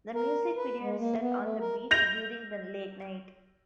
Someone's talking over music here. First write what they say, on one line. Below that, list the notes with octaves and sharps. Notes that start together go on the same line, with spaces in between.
The music video is set on the beach during the late night.
A#4
B4
G#3
A#3
B3
A3
A#4
G6 A#6 F7